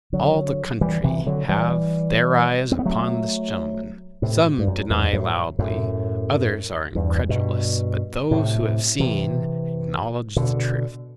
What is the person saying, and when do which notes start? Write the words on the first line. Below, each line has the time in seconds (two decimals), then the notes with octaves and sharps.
All the country have their eyes upon this gentleman; some deny loudly, others are incredulous; but those who have seen acknowledge the truth.
0.13 D3 F#3
0.81 E3 G3
1.04 C3 E3
1.26 D3 F#3
1.49 E3 G3
2.72 C4
2.79 B3
2.86 F#3 A3
4.22 A2 C3
4.58 G2
4.67 F#2
4.90 E2 G2
5.13 F#2 A2
5.59 F#2 A2
6.95 E2 G2
7.29 G2 B2
8.31 A2 C3
9.00 C3 E3
10.36 B2 D3